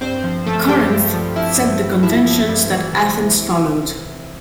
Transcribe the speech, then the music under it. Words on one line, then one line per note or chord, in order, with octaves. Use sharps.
Corinth set the conventions that Athens followed.
G2 C4 C5
F3
F3 A3 A4
G2 G3 G4
G2
F3
F3 E4
G2
G2
F3 E4
F3
G2
E3
C3
C2